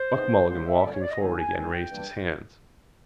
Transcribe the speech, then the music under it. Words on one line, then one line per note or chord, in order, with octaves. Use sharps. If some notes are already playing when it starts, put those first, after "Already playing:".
Buck Mulligan, walking forward again, raised his hands.
Already playing: C5
C3 E3 G#3 B3 D#4
C#3 E3 G#3 B3 C5
E5
F2 D3 G3 A#3 C#4 D5
C#5
D5
D#5
D#2 D3 G3 C4 D#4 G#5
G#5
G2 D#3 G#3 C4 D#4 G#5
G5
G2 E3 G3 A#3 D4